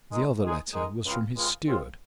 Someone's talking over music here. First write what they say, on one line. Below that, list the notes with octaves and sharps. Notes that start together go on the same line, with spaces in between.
The other letter was from his steward.
D#3 G#3 D#4 G#4
D#3 G#3 D#4 G#4
D#3 G#3 D#4 G#4
C#2 C#3 G#3 C4 F4
C#2 C#3 G#3 C4 F4
C#2 C#3 G#3 C4 F4